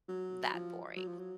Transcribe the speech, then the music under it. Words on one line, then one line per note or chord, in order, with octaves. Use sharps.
that boring.
F#3
F3
F#3
F3
F#3